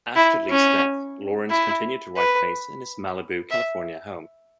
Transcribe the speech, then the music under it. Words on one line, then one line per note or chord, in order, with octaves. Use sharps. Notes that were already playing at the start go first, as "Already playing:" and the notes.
After Lee's death, Lawrence continued to write plays in his Malibu, California home.
E4
C#4
E4
B4
E5